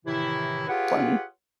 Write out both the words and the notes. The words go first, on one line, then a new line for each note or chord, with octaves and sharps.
for me.
A2 C3 D#3 E3 E4
F4 G4 G#4 B4 C#5 F#5